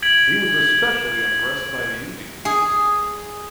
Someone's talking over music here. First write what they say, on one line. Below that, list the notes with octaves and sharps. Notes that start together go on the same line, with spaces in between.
He was especially impressed by the Indians.
G#6 B6 D7 F#7
G#4